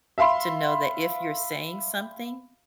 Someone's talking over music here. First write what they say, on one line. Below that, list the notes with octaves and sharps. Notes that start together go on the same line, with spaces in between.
to know that if you're saying something,
E5 F5 B5 C6